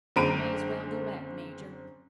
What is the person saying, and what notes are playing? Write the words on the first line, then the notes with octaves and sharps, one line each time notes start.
We may as well go back, major.
F#1 D3 C4 A#5 D7 D#7